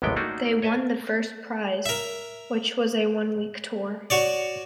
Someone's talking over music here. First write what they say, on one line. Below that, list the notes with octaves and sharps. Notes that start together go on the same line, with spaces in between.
They won the first prize, which was a one-week tour.
A1 D#2 C3 G#3 B3 G5
A3 A#3 D4 D#4 F#4
C#5 D#5 E5 G#5 A5
A#4 E5
F#4 C#5 D5